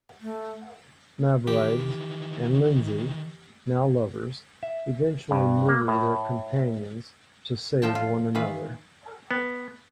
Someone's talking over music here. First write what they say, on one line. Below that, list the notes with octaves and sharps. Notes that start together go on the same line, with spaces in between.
Mavrides and Lindsay, now lovers, eventually murder their companions to save one another.
A3
D#3 E3 G4
E5
G2
A#3
A2
A2 F3 F4 G5 A5
F4
D#3 E3 F4 B4
B3